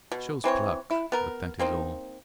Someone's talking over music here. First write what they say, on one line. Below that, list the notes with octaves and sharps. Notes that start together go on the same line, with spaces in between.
It shows pluck, but that is all.
B2
E3 C4 A#4 C#5
E4
B3 A#4
A#3 C4 D#4